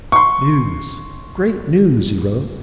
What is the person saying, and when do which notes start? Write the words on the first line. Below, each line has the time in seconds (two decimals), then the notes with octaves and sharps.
'News! great news!' he wrote.
0.12 C6 C#6